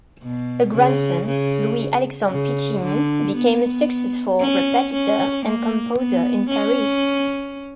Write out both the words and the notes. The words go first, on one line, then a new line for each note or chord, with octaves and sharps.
A grandson, Louis Alexandre Piccinni, became a successful repetiteur and composer in Paris.
B2
C#3
C#3
C#3
D3
B3
C#4
C#4
A#3
B3
C#4